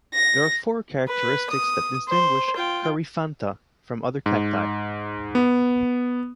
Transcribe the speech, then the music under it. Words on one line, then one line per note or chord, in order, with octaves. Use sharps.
There are four characteristics that distinguish "Coryphantha" from other cacti.
A#6
B4
D#6
C5
F4 G5
G#2
B3